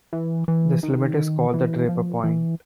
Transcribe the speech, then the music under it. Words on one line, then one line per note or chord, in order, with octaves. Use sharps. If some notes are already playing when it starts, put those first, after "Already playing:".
This limit is called the Draper point.
E3
E3
D#3
E3
F3
E3